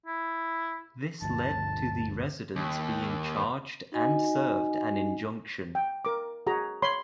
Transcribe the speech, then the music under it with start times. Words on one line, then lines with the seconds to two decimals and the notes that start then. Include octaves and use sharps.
This led to the residents being charged and served an injunction.
0.06 E4
1.22 G1 D2 F3 A5
2.56 D#2
3.92 D#4 F#4 D#5 G#5
5.75 G5
6.05 A#4 D6
6.47 F#4 G#4 A#5
6.82 C#5 B5 C6